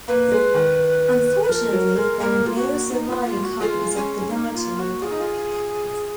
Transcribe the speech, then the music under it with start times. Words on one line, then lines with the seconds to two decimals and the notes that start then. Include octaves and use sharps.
Unfortunately there are no surviving copies of the Natya Veda.
0.08 A#3 B4
0.32 G#3
0.55 D#3
1.43 B4
1.49 F3 A#4
1.73 F#3
1.96 G#3
2.20 A#3 A#4
2.46 F4
2.55 F#4
2.91 D#4
3.08 F4
3.25 F4
3.43 F#4
3.60 G#3 F4
3.96 C#4
4.31 A#3 D#4
4.54 F4
4.79 F#4
5.02 F4 G#4
5.11 D#4
5.20 F4